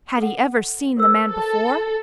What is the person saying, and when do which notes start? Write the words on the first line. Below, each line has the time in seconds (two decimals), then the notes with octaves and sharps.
Had he ever seen the man before?
0.18 A4 F#5
0.97 A#4 C5 E6
1.30 A4